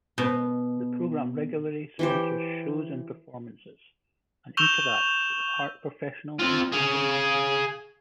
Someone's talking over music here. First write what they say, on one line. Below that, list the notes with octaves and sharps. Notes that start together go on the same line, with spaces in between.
The program regularly sponsors shows and performances, and interacts with art professionals and teachers.
B2
E3 G4 C5
C#6 E6 G6 E7 F7 G7
C4 F4
G#4 F5